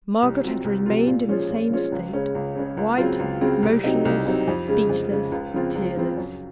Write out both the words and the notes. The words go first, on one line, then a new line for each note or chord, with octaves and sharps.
Margaret had remained in the same state; white, motionless, speechless, tearless.
C2
C3 F#3 C4 F4
C2
C3 F#3 C4 F4
A#2
F3 G#3 C#4 F4
A#2
F3 G#3 C#4 F4
C#2
C#3 G#3 C#4
C#2
C#3 G#3 C#4
C#2
C#3 F#3 C4 F4
C#2
C#3 F#3 C4 F4
C2
C3 F#3 C4 D#4
C2
C3 F#3 C4 D#4
F2
C#3 G#3
F2
C#3 G#3
C#2
C#3 F3 C4 F4
C#2
C#3 F3 C4 F4
F#2